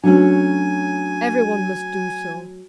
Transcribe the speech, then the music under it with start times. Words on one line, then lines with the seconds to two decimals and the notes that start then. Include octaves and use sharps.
Every one must do so.
0.04 F#3 A3 C#4 D4 G#5